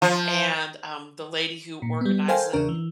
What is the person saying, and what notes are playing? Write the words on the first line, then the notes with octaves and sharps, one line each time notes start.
and, um, the lady who organized it
F3
A#2
G3 B3
A4 A#4 C5 F5 G5 G#5
E2 C#3 D4 A#4
E3